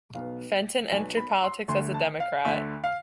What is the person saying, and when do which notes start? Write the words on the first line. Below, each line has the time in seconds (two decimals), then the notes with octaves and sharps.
Fenton entered politics as a Democrat.
0.15 B1 B2 B3 F5
0.91 B1 B2 B3 G#5
1.17 B5
1.43 C6
1.68 D2 D3 A3 C6
1.94 A5
2.20 F5
2.45 D2 D3 A3 E5
2.84 F5